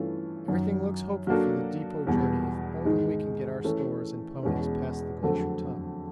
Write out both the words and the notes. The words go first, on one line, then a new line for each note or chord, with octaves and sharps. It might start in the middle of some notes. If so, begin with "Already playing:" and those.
Everything looks hopeful for the depot journey if only we can get our stores and ponies past the Glacier Tongue.
Already playing: G2 E3 A3 C#4 F4
F#2 D#3 F#3
F#3 A#3 D4 F#4 A4
E2 B2 G3
G#2 D#3 G#3
E3 A3 C#4
E2 B2 G#3 C#4
F2 D3 F#3 A3 C4